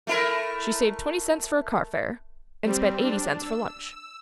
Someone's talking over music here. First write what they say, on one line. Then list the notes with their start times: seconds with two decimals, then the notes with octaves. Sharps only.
She saved twenty cents for car fare and spent eighty cents for lunch.
0.07 A3 E4 A#4
2.63 G3 C4
3.02 D4
3.39 E6